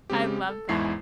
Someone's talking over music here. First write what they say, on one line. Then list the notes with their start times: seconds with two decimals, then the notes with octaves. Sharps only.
I love that.
0.10 C#3 G#3 C4 G4
0.49 A4
0.69 E2 G#2 G#3 E4 C#6 C7